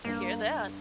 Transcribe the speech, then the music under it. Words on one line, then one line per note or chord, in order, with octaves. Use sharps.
I hear that.
G2 A#3